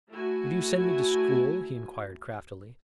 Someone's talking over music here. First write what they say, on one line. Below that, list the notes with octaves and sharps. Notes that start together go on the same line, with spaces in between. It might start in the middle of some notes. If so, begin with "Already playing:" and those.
"Would you send me to school?" he inquired craftily.
A3 E4 F#4 G#5